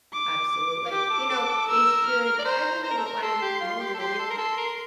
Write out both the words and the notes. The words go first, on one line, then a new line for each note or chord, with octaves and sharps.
Absolutely. You know, they should I remember oh, I mean, I'm older than you
D6
F4
G4 D6
A4
A4
A4
A#4 E6
F6
D5
C5 A#5
C5 A#5
A#4
A4
A#4
A4 C6
G4
F4
G4
A4
G4 C6
A4
A#4
A4 C6
A#4